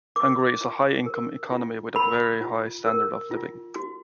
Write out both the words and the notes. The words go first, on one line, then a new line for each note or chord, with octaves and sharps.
Hungary is a high-income economy with a very high standard of living.
A#4 D6
F4
A#4
F4
A#4 B5
F4
A#4
F4
F#4